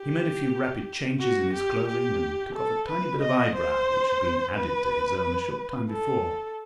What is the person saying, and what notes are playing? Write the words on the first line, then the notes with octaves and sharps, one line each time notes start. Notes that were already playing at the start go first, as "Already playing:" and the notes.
He made a few rapid changes in his clothing and took off a tiny bit of eyebrow, which had been added to his own a short time before.
Already playing: G4
F#4
G4
G4
A4
B4
D#5
C5
B4
A4